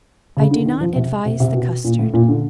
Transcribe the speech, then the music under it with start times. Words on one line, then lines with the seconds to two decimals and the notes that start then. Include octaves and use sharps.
I do not advise the custard.
0.37 C#3
0.51 D3
0.66 D#3
0.81 F3
0.95 C3
1.25 C3
1.40 C3
1.54 B2
1.84 A#2
1.99 A2
2.14 A#2
2.28 D3